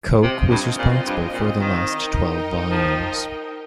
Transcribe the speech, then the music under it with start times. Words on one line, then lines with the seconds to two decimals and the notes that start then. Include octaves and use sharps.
Koch was responsible for the last twelve volumes.
0.23 C3 C4 F4 D#5 G5
0.50 G2
0.78 A#2
1.06 G2
1.33 A#2
1.61 D#3
1.89 D#4 A#4 D#5 G5
2.71 F3